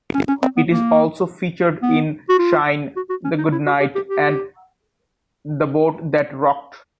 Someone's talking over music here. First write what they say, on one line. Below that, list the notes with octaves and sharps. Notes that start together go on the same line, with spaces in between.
It is also featured in "Shine", "The Good Night" and "The Boat That Rocked".
C#4
C#4
C4
B3
A#3
B3
F#4
F4
F#4
F#4
C#4
D#4
E4
F#4
G4
G4
G4